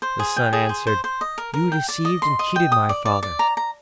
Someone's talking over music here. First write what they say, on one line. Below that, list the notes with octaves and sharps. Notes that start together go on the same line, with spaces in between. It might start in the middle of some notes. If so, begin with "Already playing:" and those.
The son answered, 'You deceived and cheated my father.
C5
G#4
G5
G#4
C5
C5
C5
D#5
A#4
A#4
G5
D5
D#5
C6
D#5
G5
D#6
D5
D5
D5
A#5
A#5